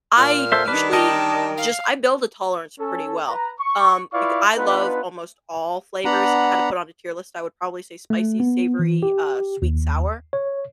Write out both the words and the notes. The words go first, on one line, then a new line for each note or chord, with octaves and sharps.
I usually just I build a tolerance pretty well, um, becau I love almost all flavors, if I had to put on a tier list, I would probably say spicy, savory, uh, sweet, sour?
A#2 F6
A4 C5 E5
D#3 G3 D4 B4
A#4 D#5 G5 A5
F5
C#4 A4
B4 A#5
C#6
E4 F4 B4 D5 F5 C#6
B3 D4 D#4 F4 B4
B3 D4 F#5 A#5 B5
A3
B3
E3
G4
D#2
C#5